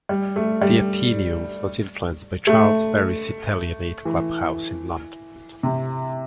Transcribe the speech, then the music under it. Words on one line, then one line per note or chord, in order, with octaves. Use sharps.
The Athenaeum was influenced by Charles Barry's Italianate club house in London.
G3
A3
G3
A3
E3
C3